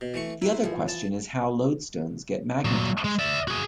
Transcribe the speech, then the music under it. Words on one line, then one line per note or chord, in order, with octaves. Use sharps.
The other question is how lodestones get magnetized.
B2
E3 A3 C#6
A#3 E4 B4 C5
E3 F3
A5
A#2 F#3
G#3
D5 E5
F#4 G#4